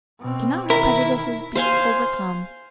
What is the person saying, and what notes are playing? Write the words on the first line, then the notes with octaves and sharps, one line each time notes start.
"Cannot her prejudices be overcome?"
B2 C4
D#3 E4 A#4
C5 F5 G#5 C6